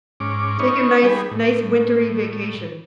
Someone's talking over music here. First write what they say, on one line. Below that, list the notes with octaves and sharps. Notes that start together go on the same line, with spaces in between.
Take a nice nice wintery vacation.
G#2 C#4 D6
B3 C#4 D#4 C#5
G3 D#4 G#4 B5
A2